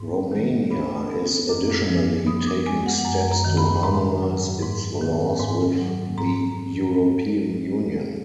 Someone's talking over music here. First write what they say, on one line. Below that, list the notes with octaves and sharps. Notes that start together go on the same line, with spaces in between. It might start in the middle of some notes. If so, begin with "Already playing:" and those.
Romania is additionally taking steps to harmonize its laws with the European Union.
Already playing: G#2
D#3
D4 B5
B3
F#2 D6
F3
B3 D#6
D6
G#3 G#5
F#5
F#5
F#2 G#5
A#5
D#3
B5
G#2 A#5
F#3
G#2
D#3
G#2 G#5
F#3
G#2 A#5